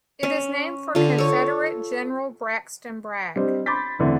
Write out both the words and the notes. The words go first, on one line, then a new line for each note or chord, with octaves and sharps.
It is named for Confederate General Braxton Bragg.
C#4
D3 F4
A4 C#5
G3 C4 D4 C5 D#5
B5 C6 D6 G6 A6 B6
E2 D3 E3 A3 C4